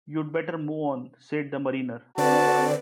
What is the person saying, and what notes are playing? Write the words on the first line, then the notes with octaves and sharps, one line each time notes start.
"You'd better move on," said the mariner.
D3 C4 F#4 B4 D5 A5